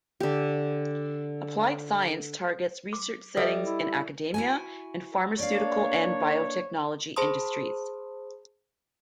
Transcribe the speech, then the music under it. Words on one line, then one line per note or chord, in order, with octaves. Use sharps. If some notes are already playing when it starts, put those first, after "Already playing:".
Applied Science targets research settings in academia and pharmaceutical and biotechnology industries.
D3 G4
D6
G3 A4 D#5 E5
E4
E4 F#4 G#5
A#3 D4 C#5 D5 F5
G#4 C5 A5 B5 C6 D#6